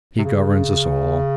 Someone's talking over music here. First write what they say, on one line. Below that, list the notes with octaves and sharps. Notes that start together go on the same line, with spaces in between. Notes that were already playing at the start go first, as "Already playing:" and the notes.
He governs us all.
C3
C#3